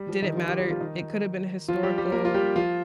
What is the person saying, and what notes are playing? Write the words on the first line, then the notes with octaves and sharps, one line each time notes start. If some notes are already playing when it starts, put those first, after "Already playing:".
didn't matter, it could've been historical,
Already playing: G3
F3
D#3 D#4
F3 F4
G3 G4
G3 G4
F3 F4
D#3 D#4
F3 F4
G3 G4
G3 G4
A#3 A#4
F4
G3 G4
F3 F4